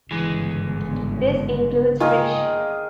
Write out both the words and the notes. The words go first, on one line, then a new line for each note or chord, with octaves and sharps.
This includes friction.
G1 C#2 G#2 E3 G#3
D#3 A#3 D#4 F4 G#4 A#4